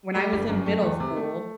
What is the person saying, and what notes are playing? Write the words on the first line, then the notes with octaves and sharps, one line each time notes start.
When I was in middle school
G3 G5
G1
F#2
A3
E2
C3
A3